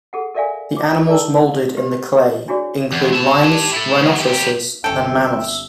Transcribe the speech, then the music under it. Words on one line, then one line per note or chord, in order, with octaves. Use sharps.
The animals molded in the clay include lions, rhinoceroses, and mammoths.
G#4 A4 F#5
A4 A#4 D5 E5 F5 G#5
D6
G#4 A4 D5 A5 A#5 E6
G4 B4 C5
D4 E4 F#4 G#4 C#5 D5
E2
E4 A5
G4 A5
E4 A4
D2 F#3
F#2 G4
G1 C#4 A4 E5 G5